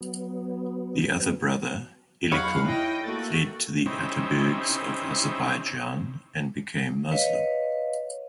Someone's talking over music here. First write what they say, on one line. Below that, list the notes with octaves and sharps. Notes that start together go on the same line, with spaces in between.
The other brother, Elikum, fled to the Atabegs of Azerbaijan and became Muslim.
F#3 B3
E2 F#3 D#4 C#5 F5 F#5 B5
E4 D#5 G5
A3 A#3 F#4 A6
C3 C4 C#4 D#4 E4
B4 C#5 D#5 F5